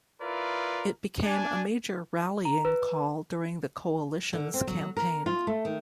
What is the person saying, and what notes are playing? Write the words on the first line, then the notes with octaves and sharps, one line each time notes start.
It became a major rallying call during the coalition's campaign.
E4 F4 A#4 B4 D5
D4 G#5
A#5
B4
D3
C4
F#3
A#4
F4
A3
D#3